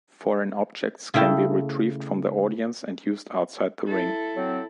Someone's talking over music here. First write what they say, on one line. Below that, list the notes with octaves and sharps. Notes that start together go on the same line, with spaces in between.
Foreign objects can be retrieved from the audience and used outside the ring.
C#3 A3 E4 G5 A5
E4 A4
F#3 C4